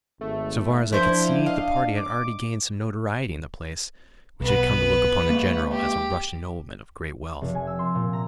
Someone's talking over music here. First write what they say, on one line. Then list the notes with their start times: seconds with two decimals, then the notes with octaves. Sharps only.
So far as I could see, the party had already gained some notoriety in the place, which had come to look upon the General as a Russian nobleman of great wealth.
0.21 G#1 A3
0.93 F3 D4 E4 C5
1.46 D#5 F5
1.95 D6
4.41 B1 B3 B4
5.30 G#3 A#3
5.71 G4
7.41 F1
7.55 G#5
7.67 E6
7.79 C6
7.95 A#2
8.13 A#5